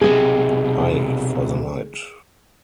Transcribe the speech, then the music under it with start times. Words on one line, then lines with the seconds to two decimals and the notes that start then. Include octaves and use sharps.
Ay, for the night.
0.01 B1 C3 G#4 D#5